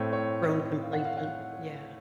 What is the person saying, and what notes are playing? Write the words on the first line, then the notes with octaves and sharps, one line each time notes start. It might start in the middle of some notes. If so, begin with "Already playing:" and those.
Grown complacent, yeah.
Already playing: A2 A3 C4 C#5
C#5
D#5
F5
F#5
F5
F#5